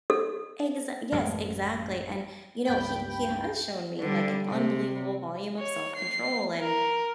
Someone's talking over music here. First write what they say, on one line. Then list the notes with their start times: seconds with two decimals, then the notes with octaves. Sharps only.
Exa Yes, exactly, and, you know, he he has shown me, like, an unbelievable volume of self-control, and,
0.10 A4
1.12 A1 F#2 G#3
2.65 C#2 G2 G5 B5 G6
4.00 D3 G3
4.47 C3
5.59 C#5
5.96 C7
6.60 A#4